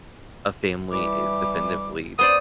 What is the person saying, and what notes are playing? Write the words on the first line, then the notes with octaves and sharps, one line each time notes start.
a family is definitively
E3 G3 D6
B3 C5 D5 D#6